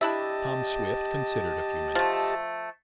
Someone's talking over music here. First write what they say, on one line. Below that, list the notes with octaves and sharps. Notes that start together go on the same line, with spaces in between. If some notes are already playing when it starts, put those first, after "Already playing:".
Tom Swift considered a few minutes.
D4 E4 G4 D#5 E5 A5
F3 A3